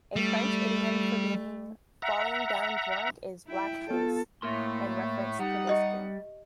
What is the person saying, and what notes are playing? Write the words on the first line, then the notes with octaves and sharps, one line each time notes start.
A French idiom for being falling-down-drunk is "black faced" in reference to this game.
G3 A3
E5 F#5 A#5
E4 G5
B3 F4 A4
A2 A3 A#3 A#4 C6
G3 D#4 F#5
G4 D#5 E5